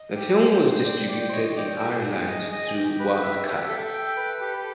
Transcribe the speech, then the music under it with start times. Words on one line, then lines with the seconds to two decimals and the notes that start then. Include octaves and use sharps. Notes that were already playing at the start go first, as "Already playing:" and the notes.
The film was distributed in Ireland through Wildcard.
Already playing: D#5
0.16 G4
0.39 C5
0.63 C5
0.85 D5 G5
1.09 D5 G5
1.29 C5
1.33 C#5 D#5
1.57 D5 G5
1.80 G4 G#4
2.05 G4
2.28 D#5
2.52 D#5
2.76 G4
2.99 B4
3.23 E5
3.46 G4
3.69 A4 E5
3.93 G5
4.17 B4
4.41 G4